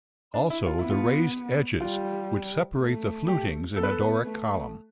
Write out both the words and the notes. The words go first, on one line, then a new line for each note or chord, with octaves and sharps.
Also the raised edges which separate the flutings in a Doric column.
D4
E4
F4
B3 E4
F4
G3 F4
A3
G4
B3 A4
B4
A4
B4
A3